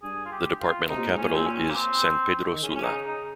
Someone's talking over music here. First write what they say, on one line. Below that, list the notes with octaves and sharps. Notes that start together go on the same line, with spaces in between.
The departmental capital is San Pedro Sula.
G2 G#4
F4
G4
F4
C3 D#4
A#2
G#2
A#2 C#4
C4
C#4
A#3
C4
D#3
C#3 C#4
C#4
D#4
D#4